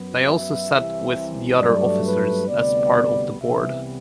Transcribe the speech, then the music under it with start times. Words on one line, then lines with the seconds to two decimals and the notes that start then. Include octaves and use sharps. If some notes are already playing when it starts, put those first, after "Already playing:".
They also sat with the other officers as part of the board.
Already playing: F#2 F#3 B3
0.22 E5
0.67 C2 C3 E3
1.58 G2 F#3 A3 D5
2.04 B4
2.48 D2 C3 G3 B3 D5
3.40 C2 C3 E3 G3 B3 E5